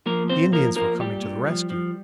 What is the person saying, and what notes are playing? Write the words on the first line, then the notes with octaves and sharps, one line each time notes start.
The Indians were coming to the rescue!
F3 A#3 A#4
A#2 C4 C5
F3 A#3 A#4
F3 A#3 A#4
A#2 G3 G4
A#2
F3
F3